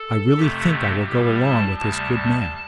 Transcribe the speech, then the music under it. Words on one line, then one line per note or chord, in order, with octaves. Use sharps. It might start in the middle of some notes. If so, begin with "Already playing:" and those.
I really think I will go along with this good man.
Already playing: A4
F2 C3 A3 G4
G4
A2 G3 G4
A5
D2 C3 G3 A5
A5